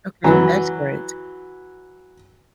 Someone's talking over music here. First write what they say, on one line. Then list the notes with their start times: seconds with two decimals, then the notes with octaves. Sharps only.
Okay, that's great.
0.24 E3 F#3